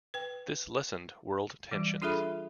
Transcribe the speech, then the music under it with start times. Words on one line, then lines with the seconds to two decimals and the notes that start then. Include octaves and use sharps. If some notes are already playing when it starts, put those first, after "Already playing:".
This lessened world tensions.
0.14 B4 G5
1.71 E3 G3
2.02 D4 F4 G#4 A4 E5 B5